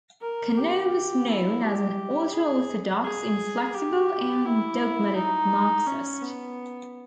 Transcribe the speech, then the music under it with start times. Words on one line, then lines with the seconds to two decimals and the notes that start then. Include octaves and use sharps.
Cano was known as an ultra-orthodox, inflexible, and dogmatic Marxist.
0.22 A#4
0.57 G4
1.28 E4
1.64 G4
2.33 G#4
3.05 G#4
3.75 G4
4.46 E4
5.16 D#4
5.87 C#4
6.22 B3